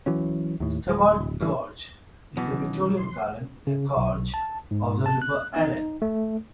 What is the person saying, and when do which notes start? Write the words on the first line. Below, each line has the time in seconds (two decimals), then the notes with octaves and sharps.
Staward Gorge is a Victorian garden in a gorge of the River Allen.
0.06 E3 F#3 C#4
0.60 D#2 A2
0.87 D1 G#3
1.18 D1
1.41 A1 G2 E3
2.37 B2 E3 F#3
2.51 D#3 F#3 C#4
2.97 C6
3.67 C#3
3.97 B1
4.34 A5
4.71 G#2
5.06 A5
5.22 F#6
5.56 D#4
6.02 A3